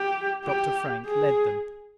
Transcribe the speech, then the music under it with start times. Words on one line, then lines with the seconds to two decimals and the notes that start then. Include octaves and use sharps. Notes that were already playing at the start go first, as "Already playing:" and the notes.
Dr. Frank led them.
Already playing: G4
0.45 G4
1.07 G#4